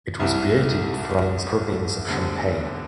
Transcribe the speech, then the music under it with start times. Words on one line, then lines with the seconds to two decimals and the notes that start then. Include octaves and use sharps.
It was created from the province of Champagne.
0.20 C2 C3 G3 E4
2.07 E1 D2 D3 G3 C4